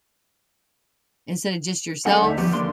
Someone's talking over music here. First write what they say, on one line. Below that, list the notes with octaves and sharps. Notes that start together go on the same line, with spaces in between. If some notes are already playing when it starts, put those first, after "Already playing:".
instead of just yourself
G3 C#4 D4 G#4 A4 F#5
D2 D#4 E5
F3 G3 A3 B3 G4
D2 A3 A#3 D4 C6